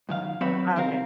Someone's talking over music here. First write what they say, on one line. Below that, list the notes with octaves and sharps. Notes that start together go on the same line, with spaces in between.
Oh, okay.
F#2 D#3 F5
F#3 C4 B4 C#5 E5 B5
C2 D#3 C4 A#4 F5